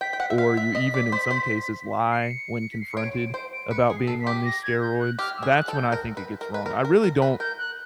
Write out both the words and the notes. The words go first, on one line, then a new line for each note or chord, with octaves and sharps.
or you even, in some cases, lie when confronted about being on these steroids, that's when I think it gets wrong, I really don't
G5 B6
G5
F#5
E5
F5 B6
E5
D#5
D5
C5
C5
C7
C#7
B6
C7
C#7
C#5 D7
D7
C5
D7
B4 C#7
G#4
C7
A4
B6
G4
A#6
G#6
G6
F#6
G4 F6
E6
G#4
F#6
A4
G6
A#4
B4
A#4
B4
A#4
A#4
A#4
B4
A#4 G6
F#6